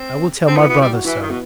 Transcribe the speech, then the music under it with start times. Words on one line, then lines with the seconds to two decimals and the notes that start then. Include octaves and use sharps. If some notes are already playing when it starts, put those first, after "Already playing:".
I will tell my brother so.
Already playing: C4
0.47 C4
0.57 B3 E4
0.69 B3 F#4
0.81 G3 G4
0.93 F#4
1.05 E3 E4
1.22 D#3
1.30 B2 B3